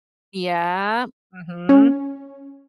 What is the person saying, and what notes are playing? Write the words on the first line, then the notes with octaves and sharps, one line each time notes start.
Yeah. Mhm.
C#4